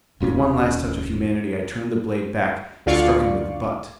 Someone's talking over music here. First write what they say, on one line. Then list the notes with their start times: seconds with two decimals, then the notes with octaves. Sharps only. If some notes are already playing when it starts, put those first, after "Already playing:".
With one last touch of humanity I turned the blade back and struck him with the butt.
0.20 D#1 F2 C4 C#4
2.86 D2 D3 F4 D5 F5 C#6